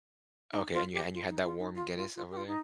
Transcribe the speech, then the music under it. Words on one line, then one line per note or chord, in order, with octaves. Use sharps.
Okay, and you and you had that warm Guinness over there?
D#4
F4
G4
F4
D#4
F4
D#4
F4
F4
F4
G4
F4
D#4